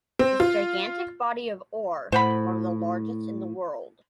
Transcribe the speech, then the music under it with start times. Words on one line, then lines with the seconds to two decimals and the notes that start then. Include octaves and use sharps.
This gigantic body of ore is one of the largest in the world.
0.19 C4
0.40 F4
2.12 A2 C5 F#5 B5